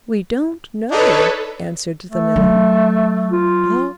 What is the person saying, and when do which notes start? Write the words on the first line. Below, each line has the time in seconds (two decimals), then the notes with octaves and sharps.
'We don't know,' answered the miller.
0.92 D4 D#4 A4 B4 C#5
2.11 A3
2.36 F#3
3.32 F4